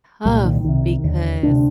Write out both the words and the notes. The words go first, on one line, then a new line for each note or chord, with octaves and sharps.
tough because
C2 A#2 G3
D#3
C2 C3 D#3
D#2 D3
D2 C3 D4